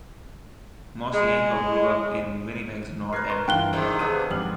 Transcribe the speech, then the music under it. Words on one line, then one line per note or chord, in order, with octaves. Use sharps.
Mosienko grew up in Winnipeg's north end.
G#3
A#4 B4 G#6 C7
C6 C#6
G2 E3 F4 G5 F#6 G7
G#2 C3 D#3
B3 D4 G#4 D#7
G#1 F2 G3 F#7